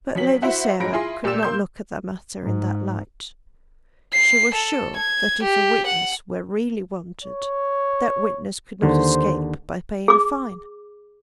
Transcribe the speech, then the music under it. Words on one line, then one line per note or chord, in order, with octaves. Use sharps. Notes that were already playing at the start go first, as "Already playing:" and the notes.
But Lady Sarah could not look at the matter in that light. She was sure that if a witness were really wanted, that witness could not escape by paying a fine.
F3 F#3 C#4 B6 F#7
E4 F#4 C5 E5 F#5
G#2 F#3 B5 A#6 D7
E4 F4 G#4 C6
A#2 G4 D5 E6 E7
A#3 C6 G6
G#2
C7
A4
G#6
G4
F#5
C#5
D#2 D3 C5
G#4 D6